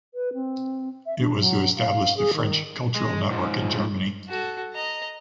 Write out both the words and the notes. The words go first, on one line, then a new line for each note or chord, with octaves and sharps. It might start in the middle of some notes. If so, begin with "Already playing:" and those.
It was to establish the French cultural network in Germany.
B4
C4
E5
D4
F#3
F5
G#4
D#3
G#3
G#2 F3
F#4 A4
D#5 A#5